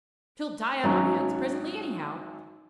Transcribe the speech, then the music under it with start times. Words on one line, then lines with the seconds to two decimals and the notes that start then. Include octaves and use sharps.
"She'll die on our hands presently, anyhow."
0.84 G#1 F#3 C#4